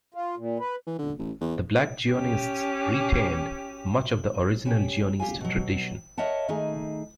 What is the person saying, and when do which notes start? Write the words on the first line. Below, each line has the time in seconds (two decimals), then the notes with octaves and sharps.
The black Zionists retained much of the original Zionist tradition.
0.14 F4
0.37 A#2
0.59 B4
0.87 E3
0.98 D3
1.19 A1
1.41 E2
2.11 C#4 G4
4.65 C#4 G4
5.19 G4 F5 G#5
5.41 B2 F#3
6.18 A#4 C#5 D#5 E5 F#5 A5
6.48 D#3 A3 D#4 G#4 G#5